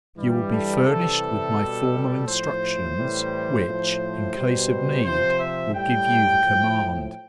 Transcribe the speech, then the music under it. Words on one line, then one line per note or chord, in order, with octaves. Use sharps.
You will be furnished with my formal instructions, which, in case of need, will give you the command.
G2 E3 G3
A4
C3 E3 G3 A4
B2 G3
A2 F3 C5
A2 E3 G3
A2 F3
B2 G3
C3 F3 C5
E5
A2 G3 G5
A2 F3